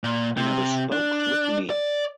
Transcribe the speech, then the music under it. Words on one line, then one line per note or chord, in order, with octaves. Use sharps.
You never spoke with me.
A#2
C3
D4
D5